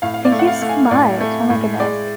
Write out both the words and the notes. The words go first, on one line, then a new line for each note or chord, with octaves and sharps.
Thank you so much. Oh my goodness.
A2 F5
F5
D5
A3
F#5
F5
A3
G#5
A2 D5
A3
A2
G#3 D5